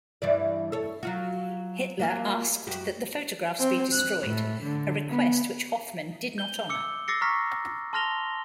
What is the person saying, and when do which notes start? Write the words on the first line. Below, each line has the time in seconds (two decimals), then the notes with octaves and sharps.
Hitler asked that the photographs be destroyed, a request which Hoffmann did not honor.
0.22 G2 E3 D5
0.72 A4 C#5
1.03 F#3 F4 F#4
1.99 F#3 A#3 F4
2.67 F#2 F#4 G4
3.59 C4
3.93 F#6
4.26 A2
4.61 D3
5.08 B3
6.38 G6 G7
6.69 D6 E6 C#7
7.08 D6 E6 A6 A#6 C7 C#7
7.21 A#5 C#6 F6 A#6 B6
7.93 A5 C6 F6 A#6 F7 G7